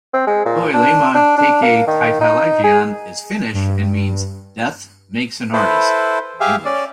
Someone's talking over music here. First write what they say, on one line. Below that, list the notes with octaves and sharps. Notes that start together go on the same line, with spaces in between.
"Kuolema Tekee Taiteilijan" is Finnish and means ""Death Makes an Artist"" in English.
C4
G#3
A#2
D4
D4
D4
A#3
D#3
D#4
G#4
G2
E4 A4 B4 C5
G4 G#4 E5 F5
C#4 D5